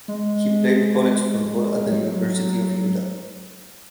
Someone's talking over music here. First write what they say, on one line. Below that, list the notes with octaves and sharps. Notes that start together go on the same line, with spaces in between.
He played college football at the University of Utah.
G#3
F#3